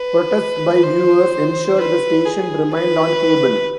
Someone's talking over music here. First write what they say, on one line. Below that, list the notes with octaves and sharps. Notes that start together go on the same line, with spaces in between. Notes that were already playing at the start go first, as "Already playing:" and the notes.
Protests by viewers ensured the station remained on cable.
Already playing: B4
C5
B4
G#4
B4